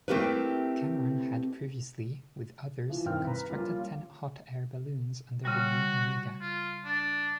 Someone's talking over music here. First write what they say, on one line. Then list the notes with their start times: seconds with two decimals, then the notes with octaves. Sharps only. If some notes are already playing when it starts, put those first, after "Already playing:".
Cameron had previously, with others, constructed ten hot air balloons under the name Omega.
0.08 A3 C4 E4 G4 A#4 B4
2.89 E3 F3
3.05 G2 D#3 E3 C4 G5 F6
3.25 B4 A#5 B5
3.50 F3 G3 A#3 C#4 F4
5.45 C#3 G3 F#4
6.42 F4
6.85 D4